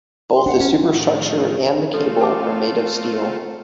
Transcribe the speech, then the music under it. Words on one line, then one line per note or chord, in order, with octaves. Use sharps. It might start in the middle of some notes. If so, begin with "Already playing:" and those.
Both the superstructure and the cable are made of steel.
C6
D4 F#5
C#4
A2 D#3 F3
A3 C4 F4 A4
A4 A5 D6